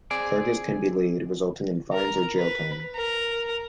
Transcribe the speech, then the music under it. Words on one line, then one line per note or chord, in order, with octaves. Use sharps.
Charges can be laid, resulting in fines or jail time.
C4 G#4 D5
A#4
B4
A#4